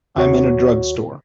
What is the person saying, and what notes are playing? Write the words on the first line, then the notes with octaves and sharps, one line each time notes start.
I'm in a drugstore.
D#2 F#4 C#5